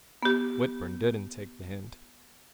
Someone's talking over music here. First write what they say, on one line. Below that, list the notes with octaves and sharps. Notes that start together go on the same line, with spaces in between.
Whitburn didn't take the hint.
B3 G4